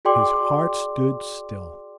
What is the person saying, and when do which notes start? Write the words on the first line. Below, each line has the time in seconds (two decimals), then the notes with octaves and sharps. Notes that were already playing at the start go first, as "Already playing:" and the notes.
His heart stood still.
0.05 F#4 G#4 D5 G5 C6 D6